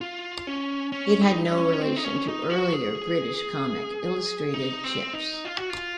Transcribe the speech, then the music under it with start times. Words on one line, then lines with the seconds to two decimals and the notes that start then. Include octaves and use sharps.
It had no relation to earlier British comic "Illustrated Chips".
0.01 F4
0.47 C#4
0.92 C#4
1.22 D#4
1.45 D#4
1.52 C#4
1.82 C4
1.96 D#4
2.04 C#4
2.28 D#4
2.50 F#4
2.73 G#4
4.54 D#4
4.84 C4
5.14 D#4
5.45 F4
5.57 F#4
5.70 F4